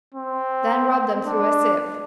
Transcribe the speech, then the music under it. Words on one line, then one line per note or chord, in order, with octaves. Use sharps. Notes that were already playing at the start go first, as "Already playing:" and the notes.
Then rub them through a sieve.
C4
D4